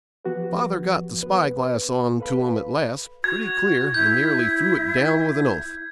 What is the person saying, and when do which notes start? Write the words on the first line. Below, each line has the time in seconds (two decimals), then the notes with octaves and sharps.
Father got the spyglass on to 'em at last, pretty clear, and nearly threw it down with an oath.
0.25 F3 B3 F#4 G4 B4
1.23 B3 B4
2.20 A4 B4 F5 B5
3.24 F#4 G#6
3.94 E4 G6